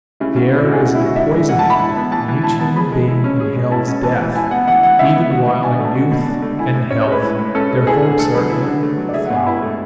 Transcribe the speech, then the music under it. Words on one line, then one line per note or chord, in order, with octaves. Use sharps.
The air is empoisoned, and each human being inhales death, even while in youth and health, their hopes are in the flower.
C#3 E4
C#3 F#4
D4 E4
F#4
G#3 G#4
C#3 F#4
E4
C#3
F#4
D4 E5
G#3
E3 F#5
E3 A5
B5
E4
B3
E3 A5
E3
E4 A5
B3 A5
G#4 B5
G#3
E4
C#4
G#4
G#3
E4 A5
C#4
E3 A5
E3
E4 G#5
B3 F#5
E3 F#5
E3 F#5
E4 E5
B3
F#4 F#5
B2
D4 G#5
A3
A5
F#4
B2
D4
A3
E4 G#5
A2
C#4 C#5
C#5
G#3 B4
E4
A2
C#4 A4
G#3
E4 G#4
D3
A3 A4
F#3 B4
E4
D3
A3
F#3
D5
G#4 E5
F#5
B2
G#5
E4 B5
A3